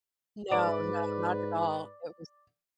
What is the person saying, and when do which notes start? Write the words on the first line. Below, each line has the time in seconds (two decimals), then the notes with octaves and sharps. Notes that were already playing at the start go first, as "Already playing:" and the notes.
No, no, not at all it was
0.51 G#2 B4 D5 D7